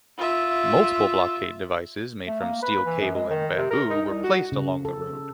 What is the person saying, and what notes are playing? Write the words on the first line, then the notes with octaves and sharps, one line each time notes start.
Multiple blockade devices made from steel cable and bamboo were placed along the road.
F4 E5
A3
A#3
B4
E3
F#2
G#3
D#3
C3
A#4
D#4
C2
F#4
C#3
A4